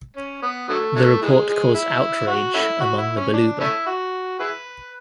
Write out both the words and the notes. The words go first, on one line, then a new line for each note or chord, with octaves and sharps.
The report caused outrage among the Baluba.
C#4
B3
D3 F#3 A3
D3 F#3 A3
E3 G#3
G#3
E4
F#4
A3 C#4 E4
F#4
E4
C#4
D4
A3 C#4 E4
F#4
E4 G#4 B4